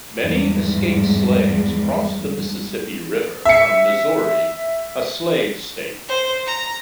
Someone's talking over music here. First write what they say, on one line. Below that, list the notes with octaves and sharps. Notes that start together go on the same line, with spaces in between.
Many escaped slaves crossed the Mississippi River from Missouri, a slave state.
E2 G#2 F3 G3
E5 C#7
C5
A#5